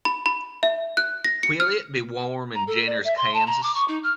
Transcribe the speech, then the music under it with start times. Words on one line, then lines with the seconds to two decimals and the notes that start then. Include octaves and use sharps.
Will it be warm in Jenners Kansas?
0.05 B5
0.26 B5
0.63 E5
0.97 F#6
1.24 A#6
1.43 C#7
1.60 F6
2.54 A#5
2.67 A4
2.86 D5
3.04 E5
3.17 C6
3.33 A5
3.46 A#5
3.63 D6
3.75 C#6
3.88 D#4
4.03 F6